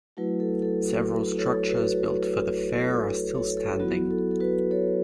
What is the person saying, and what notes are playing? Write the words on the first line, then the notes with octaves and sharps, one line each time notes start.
Several structures built for the fair are still standing.
F#3 A3 E4 F#4 B4
A4
A4
F#4
A4 C#5
F#4 B4
A4
A4
A4 C#5
A4
F#3 B3 E4 F#4
A4
A4
F#4 B4
A4 C#5